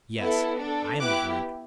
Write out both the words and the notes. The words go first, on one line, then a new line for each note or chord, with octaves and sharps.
Yes, I am a brute.
B3 E4 A4
D4 A4
B3 E4 G4 D6 F#6